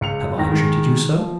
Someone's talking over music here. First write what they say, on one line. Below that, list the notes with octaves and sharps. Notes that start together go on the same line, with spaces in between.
"Have I treated you so?"
C#2 C#7 F7
G#2 D#3 G5 A#6
D#3 G#3
F3